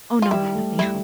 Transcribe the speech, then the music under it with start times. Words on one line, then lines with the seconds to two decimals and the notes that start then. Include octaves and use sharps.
Oh, no, no, nothing else.
0.22 F4
0.31 G3 E4
0.55 A3
0.79 G3 E4